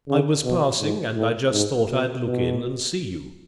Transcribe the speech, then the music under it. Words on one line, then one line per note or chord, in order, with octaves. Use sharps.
I was passing and I just thought I'd look in and see you.
C#3
B2
G#2
A2
G#2
B2
B2